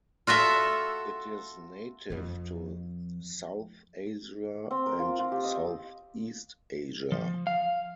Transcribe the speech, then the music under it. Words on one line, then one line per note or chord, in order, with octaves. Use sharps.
It is native to South Asia and Southeast Asia.
F4 F#4 A4 E5
F2 F3
C4
A#4
F4
F4
G4
D#5
F3
F5